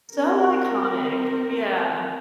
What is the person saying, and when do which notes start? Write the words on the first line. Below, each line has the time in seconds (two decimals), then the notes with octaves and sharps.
So iconic. Yeah.
0.12 C4 A#4